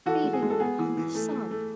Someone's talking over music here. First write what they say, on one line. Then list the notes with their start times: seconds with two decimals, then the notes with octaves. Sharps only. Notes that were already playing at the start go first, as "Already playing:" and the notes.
"Feeding on the sun!"
0.06 E3 F#4 A4
0.24 G#3
0.33 G#4
0.42 G#3
0.50 A4
0.60 B3 G#4
0.79 E3
0.97 E3
1.15 A3
1.32 A3
1.51 A3